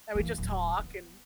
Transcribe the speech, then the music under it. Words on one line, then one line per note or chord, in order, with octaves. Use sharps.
And we'd just talk and
E3 A#3
D1
B3